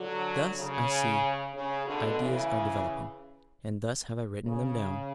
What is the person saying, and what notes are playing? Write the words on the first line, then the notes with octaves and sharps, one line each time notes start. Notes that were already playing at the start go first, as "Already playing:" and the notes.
Thus, I see, ideas are developing, and thus have I written them down.
Already playing: D3 F#3
C#3
C#3
B2 D3
C#3 E3
C#3